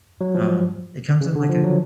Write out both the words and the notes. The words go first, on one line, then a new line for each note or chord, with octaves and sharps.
Um, it comes in like a
F#3
F3
C#3
D3
F3
F#3